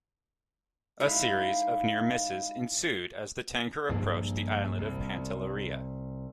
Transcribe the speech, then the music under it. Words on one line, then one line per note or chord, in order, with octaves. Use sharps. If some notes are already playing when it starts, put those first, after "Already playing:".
A series of near misses ensued as the tanker approached the island of Pantelleria.
G#3 D#4 E4 E5 F5
A#1 G2 A#3
C2